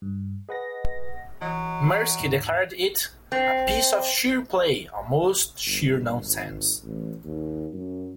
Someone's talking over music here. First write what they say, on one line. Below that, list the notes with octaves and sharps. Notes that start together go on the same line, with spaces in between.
Mirsky declared it "a piece of sheer play, almost sheer nonsense".
G2
G#4 B4 D#5 F#5 A#6
E3 F#3 D#5
D#2 G#2 D3
C4
G1
G#1
A1
D#2
F#2